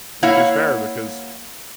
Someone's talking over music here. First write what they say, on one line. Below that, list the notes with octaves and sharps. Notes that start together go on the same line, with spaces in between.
Which is fair, because
A#3 E4 C#5 F5 F#5